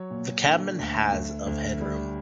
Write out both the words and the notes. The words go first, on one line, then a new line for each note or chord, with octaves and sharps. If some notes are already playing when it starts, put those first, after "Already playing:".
The cabin has of headroom.
Already playing: F#3 C#5
A#2
D3
D2
D2
D2
G3